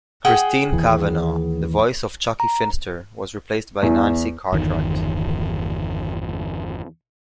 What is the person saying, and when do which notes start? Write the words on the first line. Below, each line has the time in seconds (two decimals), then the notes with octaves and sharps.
Christine Cavanaugh, the voice of Chuckie Finster, was replaced by Nancy Cartwright.
0.25 G#4 F#5 G5
0.73 D#2 E3
2.40 A#5
3.83 E2
4.52 G1 E2 D#3